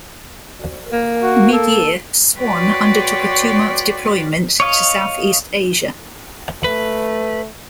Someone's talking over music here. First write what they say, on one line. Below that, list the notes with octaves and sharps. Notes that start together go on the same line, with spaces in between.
Mid-year, "Swan" undertook a two-month deployment to South East Asia.
A#3
F#4
A4
F#4 B4 C#5 D5 G5 C6
C#5 D#5 F5
A3 B4